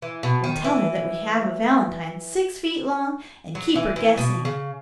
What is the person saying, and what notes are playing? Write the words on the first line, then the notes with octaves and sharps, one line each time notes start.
"We'll tell her that we have a valentine six feet long, and keep her guessing."
E3
B2
D#3
E3
F#3
E3
E3
B2
C#3